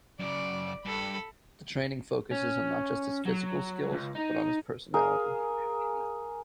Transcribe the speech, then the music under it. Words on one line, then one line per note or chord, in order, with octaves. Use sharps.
The training focuses on not just his physical skills but on his personality.
F#2 C#3 D5
G2 A4 B5
C#4
F#3
C#2
D#4
G#4 A#4 F5